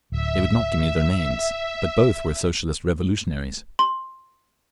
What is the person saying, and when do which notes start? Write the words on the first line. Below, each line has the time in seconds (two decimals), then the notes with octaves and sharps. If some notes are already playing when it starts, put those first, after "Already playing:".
They would not give me their names, but both were Socialist Revolutionaries....
0.12 D1 E5
3.79 C6